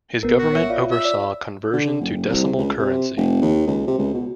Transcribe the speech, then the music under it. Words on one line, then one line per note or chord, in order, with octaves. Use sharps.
His government oversaw conversion to decimal currency.
A#1 B3 A#4
F#4
C#5 E5
F4 C#5 D5 F5
E5
D5
D3
F#1
C2
C#2
C3
F1
D#2
C#2
C3
C#2
B2